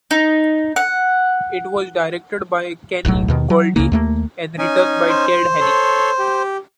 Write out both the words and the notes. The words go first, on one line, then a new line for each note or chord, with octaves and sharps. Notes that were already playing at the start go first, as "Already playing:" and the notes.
It was directed by Kenny Golde and written by Ted Henning.
D#4
F#5
D1 B1 A2 F#3
D#2 B2 D#3
F#3
C#2 C#3 A#3
D#2 A3 A#3
C#4 D#4 G#5
C5
A4 C#5 C6
G4